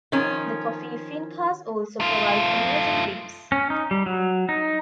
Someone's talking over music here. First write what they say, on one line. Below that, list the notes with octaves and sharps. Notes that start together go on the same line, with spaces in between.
The coffee "Fincas" also provide amazing views.
D#3 F3 C#4
A3 F4
C#4
D#4
G3
F#3
D#4